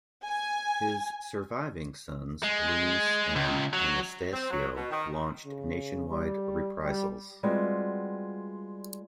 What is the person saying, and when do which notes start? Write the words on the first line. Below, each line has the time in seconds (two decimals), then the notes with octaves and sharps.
His surviving sons Luis and Anastasio launched nationwide reprisals.
0.24 G#5
2.43 G#3
3.35 C#2
3.73 F#3
4.33 C4
4.50 F#3
4.75 B2
4.91 D#3
5.45 C#3
6.08 G3
6.83 G3
7.43 G3 G#3 B3 C4 F4 F#4